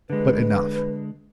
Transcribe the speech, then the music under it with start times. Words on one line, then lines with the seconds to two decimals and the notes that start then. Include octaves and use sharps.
But enough....
0.10 D3 G#3 B4